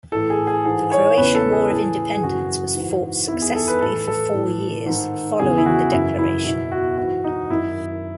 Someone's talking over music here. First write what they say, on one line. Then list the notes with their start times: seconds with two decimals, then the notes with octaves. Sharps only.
The Croatian War of Independence was fought successfully for four years following the declaration.
0.12 A2 E3 A4
0.30 G#4
0.47 G#4
0.65 G#2 E3 G#4
0.92 C#5
1.17 E2 C#3 E3 B4
1.35 A4
1.53 G#4
1.70 A2 E3 G#4
2.14 G#4
2.23 F#2 C#3 E3 F#4
2.75 G#2 E3
3.28 E2 D#3 E4
3.42 G#4
3.55 A4
3.67 B4
3.81 A2 E3 A4
4.07 A4
4.34 A2 E3
4.86 G#2 D#3
5.39 E2 C#3 E3 G#4
5.58 E4
5.66 F#4
5.92 F#2 C#3 E3 E4
6.18 E4
6.44 E2 B2 E4
6.71 F#4
6.97 G#2 E3 F#4
7.24 D#4
7.50 F#2 D#3 E4